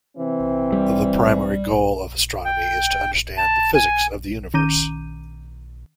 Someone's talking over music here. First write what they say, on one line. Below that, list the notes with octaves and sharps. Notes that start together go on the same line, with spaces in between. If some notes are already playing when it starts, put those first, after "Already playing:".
The primary goal of astronomy is to understand the physics of the universe.
C3 E3 C4
G3
G5
A5
G#5
D#3 C#4 A#5 D6 G6 D#7